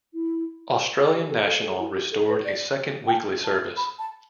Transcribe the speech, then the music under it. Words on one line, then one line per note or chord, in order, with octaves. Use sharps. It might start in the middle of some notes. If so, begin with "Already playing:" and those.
Australian National restored a second weekly service.
E4
G4
A4
A4
A4
E4
G4
A4
B4
D5
G5
A5
A5
B5
A5